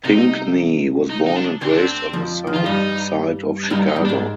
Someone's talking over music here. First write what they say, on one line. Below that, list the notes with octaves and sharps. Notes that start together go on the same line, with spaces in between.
Pinkney was born and raised on the South Side of Chicago.
C2 C3 D#4
D#4
D#4
D4
D2 D3 C4
D4
C4
F2 F3
D#3
F3 F4
G2 G3 D#4
D4
G2 G3 D#4
D#4
G2 G3
D4
G#2 G#3